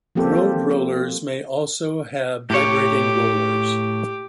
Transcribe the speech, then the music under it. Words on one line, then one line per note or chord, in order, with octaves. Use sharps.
Road rollers may also have vibrating rollers.
F3 A#3 C4 G4 A4
A2 G4 C#5